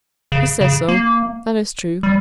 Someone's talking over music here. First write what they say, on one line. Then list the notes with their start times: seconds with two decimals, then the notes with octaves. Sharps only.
"He says so, that is true."
0.32 C#3
0.61 C#3
0.88 A#3
2.03 G3